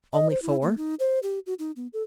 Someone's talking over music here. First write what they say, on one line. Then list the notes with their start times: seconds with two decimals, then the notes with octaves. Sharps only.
Only four?
0.13 D#5
0.30 C5
0.42 E4
0.62 A#3
0.77 D#4
1.00 C5
1.23 G4
1.46 F#4
1.59 D#4
1.76 B3
1.93 A4